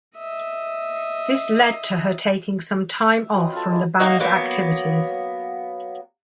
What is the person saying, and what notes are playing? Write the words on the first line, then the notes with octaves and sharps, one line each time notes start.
This led to her taking some time off from the band's activities.
D#5 E5
E5
F#3 C4 B4 D#5
F4 A4
G#3 D4 E4 G#5
F#3 A#3 D#4 F#4
F#3 A#3 B3